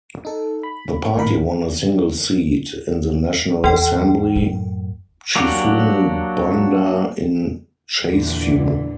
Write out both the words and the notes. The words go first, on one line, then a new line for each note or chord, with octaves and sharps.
The party won a single seat in the National Assembly, Chifumu Banda in Chasefu.
D#4 A4
B5
G#1 A2 D#3 A#4 B5
E2 E3 G5
F#2 A2
F#3 A#3 D4 F#4 G4
E2 A#2 D3 E3